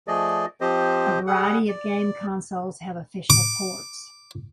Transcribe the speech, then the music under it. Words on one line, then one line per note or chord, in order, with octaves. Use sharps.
A variety of game consoles have official ports.
F3 A3 G#4 D5 D#5
F3 C4 G4 C5 D#5
G3 G#4 F#5
D5
D6